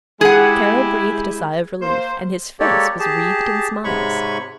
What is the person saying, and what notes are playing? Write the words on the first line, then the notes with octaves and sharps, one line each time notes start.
Kara breathed a sigh of relief and his face was wreathed in smiles.
G#3 E4 G4 G#4 F#5
A#3 C5
G#3 A#3 G4 A4 C#5 D5
G4 G#4 A5
G#2 C3 G#3 C#5 B5 C#6